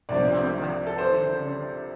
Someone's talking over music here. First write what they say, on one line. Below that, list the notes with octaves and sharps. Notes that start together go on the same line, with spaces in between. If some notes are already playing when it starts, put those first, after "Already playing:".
He rather liked this queer boy.
C2 C3 F3 D4 D5
A4
C5